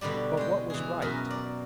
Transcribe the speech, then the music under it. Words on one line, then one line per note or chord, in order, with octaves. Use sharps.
But what was right?
B2 D3 G3 D5
G#3 G5
E3 G#4
F#2 B2 A#4 B5
D5